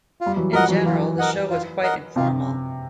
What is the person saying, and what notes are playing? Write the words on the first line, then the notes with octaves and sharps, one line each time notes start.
In general the show was quite informal.
F4
G3
E3 F#3
F3 G3 A#4 D#5 F#5
E3 F#3
E3 F#3 F4
A#4 D#5 F#5
F4
A#4 D#5 F#5
C3 F4